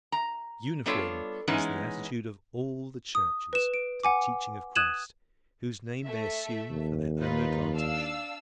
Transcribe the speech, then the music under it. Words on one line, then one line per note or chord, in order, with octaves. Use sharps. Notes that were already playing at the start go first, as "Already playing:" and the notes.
Uniform is the attitude of all the churches to the teaching of Christ, whose name they assume for their own advantage.
A#5
G3 B3 D4 F4 A4 C#5
E3 G#3 B3 C#4 D#4
D#6
B4 E7
D7
F#5 G#5 D6
D#6 F#6 G#6 D#7 E7 F#7
A3 E5
D#2
D#4 F4 B4
D4 F5 E6